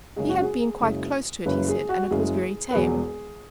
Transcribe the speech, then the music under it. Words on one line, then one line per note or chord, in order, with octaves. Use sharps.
He had been quite close to it, he said, and it was very tame.
F#1 F#2 C#3 G#3 G#4
F#4
G#4
F#1 F#2 C#3 G#3
F#1 F#2 C#3 G#3 B4
G#4
F#4
F#4
F#1 F#2 C#3 G#3 G#4
B4
E1 E2 B2 F#3 G#4